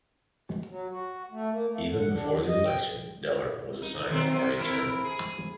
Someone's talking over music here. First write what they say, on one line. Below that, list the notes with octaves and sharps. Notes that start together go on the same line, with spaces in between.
Even before the election Dehler was assigned as party chairman.
F#3
F#4
A3
A#3
A3
D3
F#5
D4
F#3
D#5
G5
D#4
D#3 F#3 C4
C3 C4
C4 E4 A#4
G#4